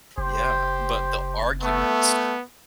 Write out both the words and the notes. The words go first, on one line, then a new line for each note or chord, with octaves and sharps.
Yeah, but the arguments
F#1 G4 C5
A3 B3